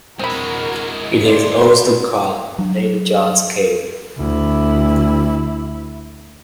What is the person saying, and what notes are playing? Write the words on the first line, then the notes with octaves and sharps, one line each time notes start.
It is also called Little John's Cave.
G#3 C4 E4 F#4 A#4 B5
F4 D5 C6
F#3
D2 E4